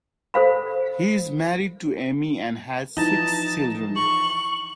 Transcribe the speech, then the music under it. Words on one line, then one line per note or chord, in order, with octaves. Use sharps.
He is married to Amy and has six children.
A4 C5 F5 B5
E3 F3 D#4 A5
C#6 F#7